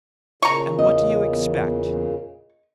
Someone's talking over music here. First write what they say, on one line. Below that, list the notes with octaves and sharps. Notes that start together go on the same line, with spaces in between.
"And what do you expect?"
A#2 C#3 A#5 C#6
E2 D#5